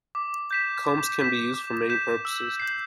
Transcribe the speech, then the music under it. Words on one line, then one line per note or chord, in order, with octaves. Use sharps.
Combs can be used for many purposes.
D6
G6 B6 E7
D6
G6 B6 E7
D6
G6 B6 E7
E6
G6 C7